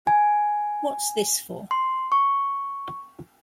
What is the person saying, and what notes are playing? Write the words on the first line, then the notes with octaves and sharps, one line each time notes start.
What's this for?
G#5
C6
C#6